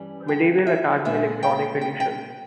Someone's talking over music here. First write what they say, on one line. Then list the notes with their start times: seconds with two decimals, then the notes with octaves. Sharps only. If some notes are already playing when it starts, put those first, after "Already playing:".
Medieval Academy Electronic Editions.
Already playing: G2 E3 G3 C#4
0.28 G5
0.67 E5
1.05 A#2 G#3 B3 E5
1.43 G5
1.81 G5
2.00 G5